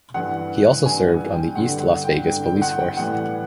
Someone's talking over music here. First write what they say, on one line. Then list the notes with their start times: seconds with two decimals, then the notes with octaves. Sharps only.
He also served on the East Las Vegas police force.
0.14 G2 E3 G3 F#5
0.86 G2 E3 G3 G#5
1.32 G5
1.55 G2 D3 G3 F#5
1.80 F#5
2.04 G5
2.26 G2 D3 G3 G5
2.44 G5
2.62 F#5
2.79 G5
2.97 A2 E3 G3 F#5